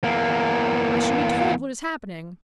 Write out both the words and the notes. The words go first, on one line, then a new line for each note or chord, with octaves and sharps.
"I should be told what is happening."
E2 A#3